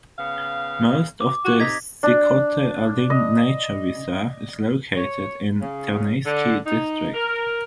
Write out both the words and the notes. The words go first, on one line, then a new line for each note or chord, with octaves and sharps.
Most of the Sikhote-Alin Nature Reserve is located in Terneysky District.
C#3 B3 F5
D6
F#4
C3 D#4 G#6 A#6 B6
D4
D#5
C#5
C#3
D3
D#4
A#4